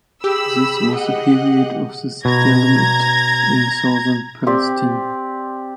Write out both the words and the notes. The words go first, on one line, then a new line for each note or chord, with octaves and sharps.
This was the period of the Stalemate in Southern Palestine.
G4 G#4 B5 E6
D#5 F#5
B2 A#5 G#6 A#6
C4 G4 D5